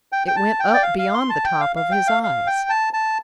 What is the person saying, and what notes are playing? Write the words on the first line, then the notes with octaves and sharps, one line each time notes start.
It went up beyond the top of his eyes.
G5
G5
A5
G5
D5
F5
F5
C6
A5
G5
F5
F5
G5
F5
F5
G5
A5
A5